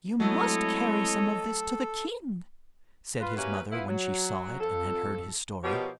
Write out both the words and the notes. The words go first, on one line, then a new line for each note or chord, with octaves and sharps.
"You must carry some of this to the king," said his mother when she saw it and had heard his story.
F#3 G#3 A3 C4 E4 A4 C#5 D#5
F4 B4
A#3 C#4 E4 F#4 G4 B4
B3 E4 F4
F#3
F2 A4
B2 F3 G4 A#4 C#5 D#5